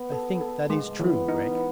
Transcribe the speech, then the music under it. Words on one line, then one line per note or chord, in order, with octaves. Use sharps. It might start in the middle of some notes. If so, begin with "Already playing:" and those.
"I think that is true, Gregg!"
Already playing: B3
A4
A4
G#3
E3 B3
D#4